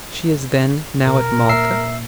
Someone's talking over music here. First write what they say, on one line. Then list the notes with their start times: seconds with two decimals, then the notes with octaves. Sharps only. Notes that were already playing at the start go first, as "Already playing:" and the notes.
"She is, then, now at Malta?"
1.07 B2 A#4
1.49 A#2 A#3 E5 E6 C7